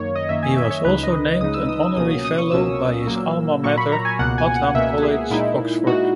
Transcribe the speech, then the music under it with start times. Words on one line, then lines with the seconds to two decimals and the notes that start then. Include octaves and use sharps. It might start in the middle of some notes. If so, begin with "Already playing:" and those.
He was also named an honorary fellow by his alma mater, Wadham College, Oxford.
Already playing: F#2 D#3 A#3 C#5
0.16 D#5
0.29 F#2 D#3 A#3 E5
0.43 G#5
0.57 E5
0.70 C#5
0.85 C#2 C#3 G#3 D#4 B4
1.03 D#5
1.40 C#2 C#3 G#3 D#4 D#6
1.54 E6
1.69 D#6
1.82 E6
1.97 C#2 B2 F#3 A#3 C#4 D#6
2.11 D#6
2.25 D#6
2.38 C#6
2.51 C#2 B2 F#3 A#3 C#4 E6
3.07 A#2 F#3 A#3
3.63 A#2 F#3 A#3 C#6
3.78 B5
3.92 A#5
4.05 G#5
4.19 C#2 B2 A#3 F#5
4.38 G#5
4.56 F#5
4.74 C#2 B2 A#3 E5
5.03 G#4
5.31 A#2 G#3 D#4 E4
5.87 A#2 G#3 D#4 F#4